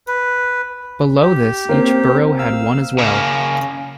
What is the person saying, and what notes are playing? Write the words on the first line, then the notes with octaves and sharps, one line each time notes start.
Below this each borough had one as well.
B4
G4
A#3 C4
F5 E6
C#3 A#3